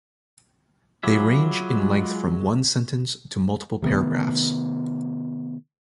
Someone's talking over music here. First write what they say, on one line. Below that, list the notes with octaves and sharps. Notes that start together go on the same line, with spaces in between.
They range in length from one sentence to multiple paragraphs.
F#3 F4 G#4 E5 F#5 B5 D6
G#3
C3 D#3 A3 B3